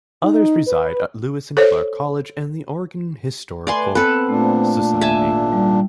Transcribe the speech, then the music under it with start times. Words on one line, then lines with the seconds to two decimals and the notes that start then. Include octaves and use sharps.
Others reside at Lewis and Clark College and the Oregon Historical Society.
0.23 D#4
0.67 B4
1.57 A4 C5 C#5
3.67 A3 B4 D5 G#5 C6
3.95 B3 C4 A4 B4
4.29 A#2 A3 D4
5.01 G#1 E5 G#5 A5
5.53 G3